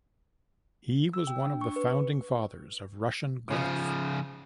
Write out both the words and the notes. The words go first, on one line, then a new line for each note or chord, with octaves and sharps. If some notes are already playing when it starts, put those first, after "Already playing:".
He was one of the founding fathers of Russian Golf.
E6
G5
D4
C#6
B4
C#3 F3